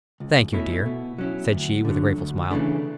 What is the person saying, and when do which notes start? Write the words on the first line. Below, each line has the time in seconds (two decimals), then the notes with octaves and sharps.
"Thank you, dear," said she, with a grateful smile.
0.20 C#2
0.53 B2 A3 C#4 E4
0.86 B2
1.18 F#3 C#4 E4
1.52 D2
1.85 D3 F#3
2.18 D2
2.51 C#3 E3 A3 D4